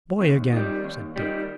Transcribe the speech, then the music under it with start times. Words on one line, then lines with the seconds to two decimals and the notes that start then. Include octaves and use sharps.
"Boy again!" said Dick.
0.21 D#2
0.53 D#3 G3
0.84 D#2
1.16 D#3 G3